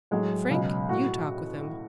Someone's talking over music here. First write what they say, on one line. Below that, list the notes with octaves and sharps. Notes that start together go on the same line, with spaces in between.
Frank, you talk with him.
A2 F#3 G#3
C#2 B2 F#3
A2 F#4